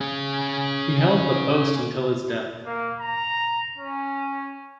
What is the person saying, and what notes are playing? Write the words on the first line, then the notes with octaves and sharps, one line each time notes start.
He held the post until his death.
C#4 G#4
A#3
A#5
C#4